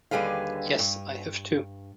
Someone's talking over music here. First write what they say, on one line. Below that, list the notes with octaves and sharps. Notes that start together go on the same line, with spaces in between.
Yes, I have two.
D#2 D3 G3 G#4 B4 F5
G2